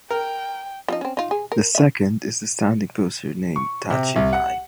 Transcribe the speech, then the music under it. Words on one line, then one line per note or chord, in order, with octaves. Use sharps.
The second is the standing posture named "tachi-ai".
A#4 G5
F3 C#4 D#4
C4 C#4
D#4 F4
G#4
A#4
C#4 E5
C#6
C3
C2
F#5